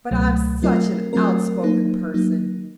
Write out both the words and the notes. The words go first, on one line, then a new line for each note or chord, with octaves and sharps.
But I'm such an outspoken person.
C#2 B2 F#3 A3
F#3 A3 C4 F4 A#4
F#3 A3 C4 F4 A#4
F#3 A#3 D#4
F#3 A#3 D#4